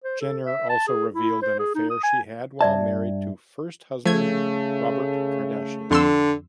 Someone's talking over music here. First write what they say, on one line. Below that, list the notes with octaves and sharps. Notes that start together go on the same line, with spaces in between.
Jenner also revealed an affair she had while married to first husband Robert Kardashian.
C5
A4
E5
A5
G#4
E4
C5
G#4
D#4
D#6
G#5
G2 D5 E5 A5
C#3 F3 A3 G#6
F2 D3 C6 E6